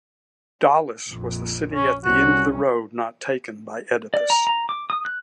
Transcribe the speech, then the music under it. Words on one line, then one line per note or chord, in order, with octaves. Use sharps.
Daulis was the city at the end of the road not taken by Oedipus.
A#1 F2
C#4
C2 C#4 F#4
D5
A#5
A#5
D6
D#6
F#6